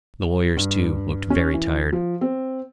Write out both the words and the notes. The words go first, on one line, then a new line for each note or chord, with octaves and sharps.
The lawyers, too, looked very tired.
G2
C#4
E3
F3
C4